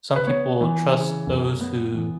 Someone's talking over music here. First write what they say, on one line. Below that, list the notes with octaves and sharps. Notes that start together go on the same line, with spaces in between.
Some people trust those who
B4
B3 C#5
E3
C#3
F#2
B3
E3